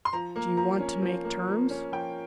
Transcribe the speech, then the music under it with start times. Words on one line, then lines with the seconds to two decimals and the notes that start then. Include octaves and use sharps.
"Do you want to make terms?"
0.05 C6
0.13 F3 A#5
0.36 A#3
0.57 F3 A#5
0.80 C#4
1.02 F3
1.25 A#3
1.48 F3
1.70 C#4
1.92 F3 G5